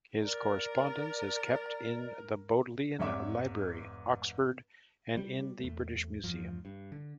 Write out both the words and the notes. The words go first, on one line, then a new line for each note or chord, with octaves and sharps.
His correspondence is kept in the Bodleian Library, Oxford and in the British Museum.
A#4 D5
F1 G#2 C#5 D5 E5 D6
G3
E2 A3
E2 G2 F3
G2
D3